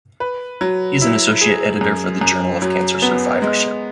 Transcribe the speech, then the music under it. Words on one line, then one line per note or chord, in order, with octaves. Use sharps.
He is an Associate Editor for the Journal of Cancer Survivorship.
B4
F#3
E4
G#4
F#2
F#2
F#3
B3
G#3